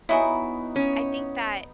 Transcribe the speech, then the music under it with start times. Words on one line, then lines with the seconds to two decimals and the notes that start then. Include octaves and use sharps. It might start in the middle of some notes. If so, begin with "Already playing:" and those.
I think that
0.09 B3 D#4 E4 F#4 C#5 D#5 G#5
0.76 C#4